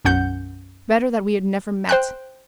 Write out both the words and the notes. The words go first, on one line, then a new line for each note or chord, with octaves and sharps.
Better that we had never met!
B1 F#2 C#4 F#5 G6
C5 G5 F#6